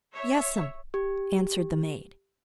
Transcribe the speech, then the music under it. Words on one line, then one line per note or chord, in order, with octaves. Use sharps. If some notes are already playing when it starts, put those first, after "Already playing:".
"Yes'm," answered the maid.
C#5 E5
G4